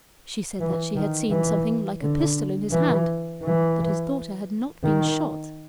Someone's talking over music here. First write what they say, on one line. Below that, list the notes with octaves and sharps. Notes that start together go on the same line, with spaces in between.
She said that she had seen something like a pistol in his hand, but his daughter had not been shot.
E3
D#3
E3
D3
E3
E3
D#3